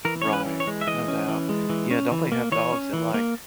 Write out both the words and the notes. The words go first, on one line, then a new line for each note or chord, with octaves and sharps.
Right. No doubt. Yeah don't they have dogs that, like,
E3 A#4
C#4 C#5
B4
E3
C#5
G#3
E5
E3 D#5
C#4
E3
G#3
E3
C#4
E3
A#3
E3 C#5
C#4
E3
A#3